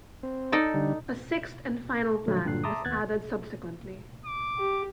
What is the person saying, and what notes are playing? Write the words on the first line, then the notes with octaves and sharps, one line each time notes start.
A sixth and final plan was added subsequently.
C4
D#4 A4 D5
D3 G3
A#2 D3 F3 F#3 G#3 A3
G2 A#2 D3 F#6 C7
E5 A5 A#5 C6 D6 D#6
D#2 B3 F#6 G#6 A6
D6
G4